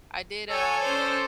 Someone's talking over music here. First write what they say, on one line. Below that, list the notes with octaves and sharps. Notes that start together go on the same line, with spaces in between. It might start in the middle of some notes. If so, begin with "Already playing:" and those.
I did, um
A4 C#5 G#5
C#4 C5 D5